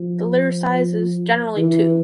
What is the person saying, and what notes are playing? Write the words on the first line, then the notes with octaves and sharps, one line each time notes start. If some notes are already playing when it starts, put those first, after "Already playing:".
The litter size is generally two.
Already playing: F3
E3